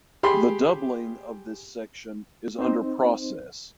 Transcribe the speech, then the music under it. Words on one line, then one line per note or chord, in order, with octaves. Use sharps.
The doubling of this section is under process.
G4 G#4 B5 C6
C4 D#4 C5